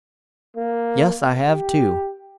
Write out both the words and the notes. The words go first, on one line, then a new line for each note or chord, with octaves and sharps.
Yes, I have, too!
A#3
G4